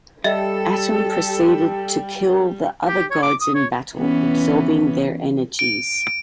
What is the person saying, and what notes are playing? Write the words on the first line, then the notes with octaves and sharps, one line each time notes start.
Atum proceeded to kill the other Gods in battle, absorbing their energies.
G3 G4 A4 D#5 E5
G4
C#5
D6
D#6
C#5
E3 B3 C#4
D7